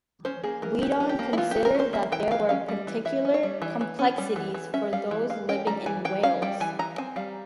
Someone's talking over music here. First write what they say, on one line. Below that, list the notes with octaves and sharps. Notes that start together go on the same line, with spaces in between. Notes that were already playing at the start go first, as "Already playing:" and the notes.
Weedon considered that there were particular complexities for those living in Wales.
C#4 C5
A#3 G#4
E3 A#4
E3 G4
C#4
G4
A#3
E4
E3 F4
G4
E3
A#4
C#4 C5
A#3 E5
E3 G5
E3 F5
C#4 F5
G3
E3
E3 E5
C#4
C#5
G3
E3
E3
C#4
G3
E3
E3
C#4 E5
G3 F5
E3
E3 F5
C#4 G5
G3 A#5
E3 G#5
E3 G5
C#4 F5
G3 G5
E3 G#5
E3 A#5
C4 G#5
G3 F5